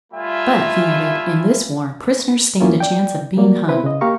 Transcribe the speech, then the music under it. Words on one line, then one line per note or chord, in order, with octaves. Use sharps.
"But," he added, "in this war prisoners stand a chance of being hung."
G3 A3 F4 E5 G#5 B5
E2 A#3 B3 C#4 E4 F4
D5 G5
F#3 A#3 D5
C4 E4 B4 C5
C#3 D#5
A#3 G4 F5 A#5 C#6